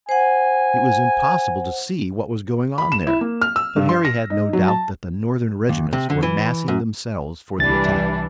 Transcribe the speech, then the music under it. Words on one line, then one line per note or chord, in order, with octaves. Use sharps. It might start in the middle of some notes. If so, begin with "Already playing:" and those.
It was impossible to see what was going on there, but Harry had no doubt that the Northern regiments were massing themselves for the attack.
C5 F#5 G#5
B5
E7
E4
A#3
F6
E6
G2
C6
A#6
D#4
F#3
A5
D#2
C3
D3
E3
F#2
C2 E3 G3 D4 A6